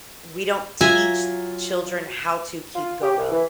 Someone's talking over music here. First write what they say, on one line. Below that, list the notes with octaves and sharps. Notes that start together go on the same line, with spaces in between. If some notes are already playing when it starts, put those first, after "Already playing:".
we don't teach children how to keep going.
F#3 F4 E5 G#5 A#5
F4
G4
C2
E3